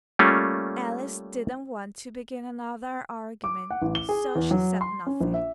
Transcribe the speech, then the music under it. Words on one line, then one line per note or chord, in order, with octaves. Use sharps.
Alice didn't want to begin another argument, so she said nothing.
G3 A3 A#3 C#4 F4
D6
F#5
A1
G7
G#4
E2
F#3
C6
C#4
A#1
E5